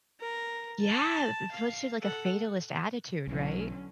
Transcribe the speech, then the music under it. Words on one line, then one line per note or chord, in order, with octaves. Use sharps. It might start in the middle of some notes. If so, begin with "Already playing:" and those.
Yeah, especially, like, a fatalist attitude, right?
A#4
A5
F5
A4 F#5
B1 D3 E3 F#3 C#4